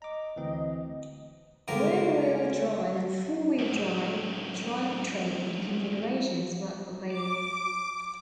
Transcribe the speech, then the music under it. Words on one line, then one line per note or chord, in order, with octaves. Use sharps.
Rear-wheel drive and four-wheel drive drivetrain configurations were available.
D#5 A#5 D6
D2 E3 C4
C#2 G2 D3 G4 A#4
F#2 A2
D6